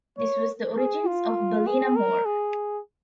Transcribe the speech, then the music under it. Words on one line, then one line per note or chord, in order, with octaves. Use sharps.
This was the origins of Ballinamore.
C#5
G#4
F4
G#4
A#4
G#4